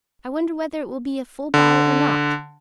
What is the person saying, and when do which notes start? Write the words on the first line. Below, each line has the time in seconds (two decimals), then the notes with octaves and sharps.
I wonder whether it will be a full ball or not!
1.54 D3